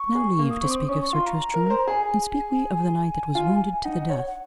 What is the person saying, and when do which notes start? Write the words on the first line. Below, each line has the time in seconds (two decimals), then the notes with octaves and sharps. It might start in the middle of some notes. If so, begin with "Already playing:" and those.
NOW leave to speak of Sir Tristram, and speak we of the knight that was wounded to the death.
Already playing: C#6
0.15 G#4
0.39 A#3
0.50 D#6
0.60 C4 C#6
0.71 D#6
0.89 C#4 C#6
1.01 C#6
1.13 F4 C6
1.26 A#5
1.54 A#4
1.66 A#4
1.70 C5
1.87 G#4 G#5
3.35 F4
3.84 D#4 F#5
4.10 C#5
4.26 F#5